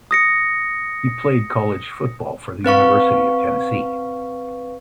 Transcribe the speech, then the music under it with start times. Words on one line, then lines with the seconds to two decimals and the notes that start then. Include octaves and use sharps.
He played college football for the University of Tennessee.
0.11 D#6 A#6 C#7
2.64 C4 B4 F5 C#6